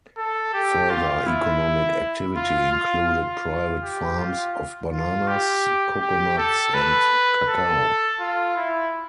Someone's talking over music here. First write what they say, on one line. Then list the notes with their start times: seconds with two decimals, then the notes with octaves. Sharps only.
Further economic activity included private farms of bananas, coconuts, and cacao.
0.17 A4
0.54 G4
0.90 F4
1.26 E4
2.37 F4
2.72 F4
3.09 F4
3.82 G4
4.19 F4
4.92 F4
5.28 G4
6.01 G4
6.38 A4
6.74 B4
7.48 A4
8.20 F4
8.57 E4